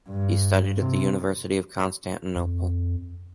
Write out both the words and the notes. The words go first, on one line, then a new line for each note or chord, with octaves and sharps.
He studied at the University of Constantinople.
G2
C3
F2